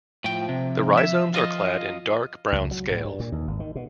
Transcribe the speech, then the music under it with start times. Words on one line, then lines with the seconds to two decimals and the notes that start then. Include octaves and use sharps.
The rhizomes are clad in dark brown scales.
0.24 A2 F3 G5
0.49 C3
0.97 E5
1.34 F4 D#5
2.52 C#2
2.71 F#3
2.91 A2
3.05 G2
3.20 A#2
3.32 D#2
3.48 G#1
3.60 D#3
3.75 B2